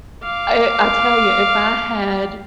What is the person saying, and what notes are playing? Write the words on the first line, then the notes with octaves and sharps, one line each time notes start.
I I tell ya, if I had
F5 D6